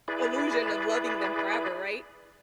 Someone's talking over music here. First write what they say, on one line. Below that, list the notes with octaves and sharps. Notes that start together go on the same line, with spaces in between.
illusion of loving them forever, right?
E4 G#4 B4 D5